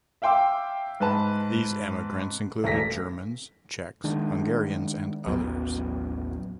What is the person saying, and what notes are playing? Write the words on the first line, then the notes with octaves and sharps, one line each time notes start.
These emigrants included Germans, Czechs, Hungarians, and others.
E5 F5 G5 C6 D6 E6
G#2 B4 A5
E1 A3 A#6 B6
D#3 G#3 D4
A1 D#2 F#3 B3